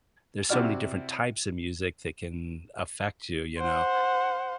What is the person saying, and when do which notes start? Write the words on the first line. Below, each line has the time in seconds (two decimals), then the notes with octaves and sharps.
There's so many different types of music that can affect you, you know.
0.49 C3 C4 E4 F#4 D5 F6
3.58 C5 F#5